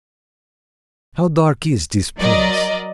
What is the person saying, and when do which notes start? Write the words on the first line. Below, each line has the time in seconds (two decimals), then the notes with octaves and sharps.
How dark is this place!
2.18 F#3 A#4 D5 D#5